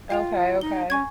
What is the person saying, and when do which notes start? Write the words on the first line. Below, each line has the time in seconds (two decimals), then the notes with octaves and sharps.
Okay, okay.
0.10 F4 F5 G5 F7
0.61 D#4 G7
0.90 C#4 G#5 C#6 G#6